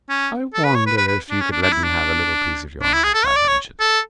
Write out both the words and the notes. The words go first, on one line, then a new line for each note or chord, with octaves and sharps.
"I wonder if you could let me have a little piece of your ice," I ventured.
C#4
A4
B4
C#5
B4
B4
B4
D4
C#4
D4
D4
E4
D4
D4
E4
G#4
A4
C#5
D5
C#5
A4